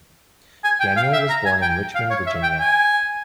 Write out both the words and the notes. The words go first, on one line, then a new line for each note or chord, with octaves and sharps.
Daniel was born in Richmond, Virginia.
G#5
G5
F5
E5
A#5
G#5
G5
F5
C#5
E5
G5
G#5